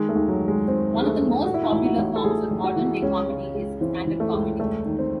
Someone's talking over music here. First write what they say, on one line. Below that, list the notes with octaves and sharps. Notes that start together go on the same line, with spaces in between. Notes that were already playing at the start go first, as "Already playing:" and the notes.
One of the most popular forms of modern-day comedy is stand-up comedy.
Already playing: D#3 G#3
A3
D#2
F#3
D#3
G#3
D#3 C4
D#2
G#3
A3
D#3
A2 F#4
E4
D#4
A1 E4
F#4
A1
A4
A1 G#4
A1
F#4
E3
C#2 C#4
C#3
C#2
E3 C4
E3
A3
C#2
E1 A3
D#3
C4